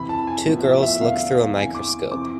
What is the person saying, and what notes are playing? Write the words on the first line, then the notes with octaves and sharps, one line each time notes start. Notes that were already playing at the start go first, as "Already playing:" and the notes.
Two girls look through a microscope.
Already playing: F2 C3 E3 B5
A5
G#5
A2 F3 B3
E5
E5
E2 D3 A3 F5
E2 C3 E3 G#5
D6
F2 C3 E3 D6